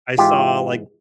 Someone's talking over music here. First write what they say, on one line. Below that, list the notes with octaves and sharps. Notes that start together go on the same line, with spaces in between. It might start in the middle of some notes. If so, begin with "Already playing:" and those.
I saw like
G#2 E3 G#3 F4 G4